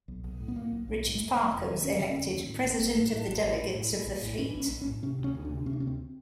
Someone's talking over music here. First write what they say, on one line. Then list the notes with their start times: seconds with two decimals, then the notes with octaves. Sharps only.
Richard Parker was elected "President of the Delegates of the Fleet".
0.08 B1
0.24 B1
0.40 A2
0.48 B3
0.56 A2 A#3
0.72 B1
0.88 B1
1.04 A2
1.15 G#3
1.20 F1 A3
1.36 D3
1.52 F1
1.68 D#2
1.84 F1 C#4
1.97 D3 C4
2.10 C#4
2.16 F1
2.31 D#2
2.47 A2
2.64 A1
2.79 A1
2.95 A2
3.11 A2
3.27 A1
3.43 A1
3.59 A2
3.75 A2
3.91 A#1
4.07 A#1
4.22 A2
4.39 A2 C#4
4.51 D4
4.55 A#1
4.60 C#4
4.71 A#1
4.81 C#4
4.87 A2
5.03 C3 C#4
5.19 D2
5.24 C#4
5.35 D2
5.45 D4
5.50 C3
5.66 C3 C#4
5.73 D4
5.80 D2 C#4
5.87 C4